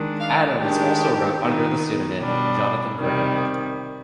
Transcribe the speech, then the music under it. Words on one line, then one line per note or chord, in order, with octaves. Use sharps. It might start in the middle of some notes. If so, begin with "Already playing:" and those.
Adams also wrote under the pseudonym 'Jonathan Gray'.
Already playing: D#3 G#3 D4
F5
D#3 G#3 D4 G4
D#3 B3 D#4
B2 G3 D4
C3 D#3 G3